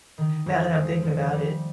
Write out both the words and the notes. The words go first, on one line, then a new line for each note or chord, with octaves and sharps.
Now that I'm thinking about it.
D#3
F2
G#3
F3
G3